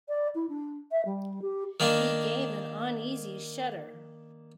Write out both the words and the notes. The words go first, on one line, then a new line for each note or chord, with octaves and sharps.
He gave an uneasy shudder.
D5
E4
D4
E5
G3
G4
D#3 A#3 D4